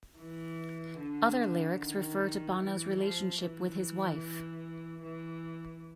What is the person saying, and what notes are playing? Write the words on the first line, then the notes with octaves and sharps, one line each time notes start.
Other lyrics refer to Bono's relationship with his wife.
E3
D3
D#3
E3
F3
E3
E3